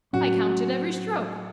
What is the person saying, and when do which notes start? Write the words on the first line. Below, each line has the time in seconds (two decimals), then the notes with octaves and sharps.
I counted every stroke.
0.13 A2 F#3 C#4 F#4